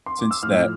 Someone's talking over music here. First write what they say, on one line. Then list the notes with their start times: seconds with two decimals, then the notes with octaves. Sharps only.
since that
0.06 C6
0.19 D6
0.31 E6
0.43 A2 F3 F6